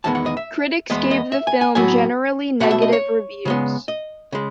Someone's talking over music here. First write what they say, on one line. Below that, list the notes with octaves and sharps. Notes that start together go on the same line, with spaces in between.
Critics gave the film generally negative reviews.
E2 D#3 G#3 B3 A5
F#5
D#5
E5
E2 D#3 G#3 B3 D#5
D#5
E5
G#5
G#5
A2 F#3 B3 G#5
B2 A3 F#5
E5
D#5
C#5
C#3 G#3 B3
D#5
C#3 G#3